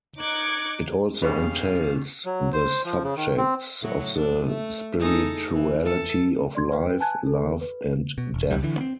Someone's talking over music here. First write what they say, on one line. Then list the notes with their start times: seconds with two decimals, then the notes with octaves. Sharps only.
It also entails the subjects of the spirituality of life, love and death.
0.18 D#4 D6 F#6 G#6 C#7
1.22 G2 B2 G3 B3 C#4 G#4 B4 F5
2.25 F#3
2.53 C5
2.85 F3
3.04 C#3
3.17 D#3
3.37 C4
3.82 A2 F#3
4.15 D4
4.47 A3
4.99 D#4 G#4 A4
5.53 E3
5.85 A4
6.55 D5 C6 G#6
6.72 B4 F5 G5
7.00 G#5 A5 F#6 G#6
7.27 A4
7.61 B4
8.18 B2
8.34 E1
8.51 C#2 C3 G3
8.63 D3 E3
8.78 B3 C4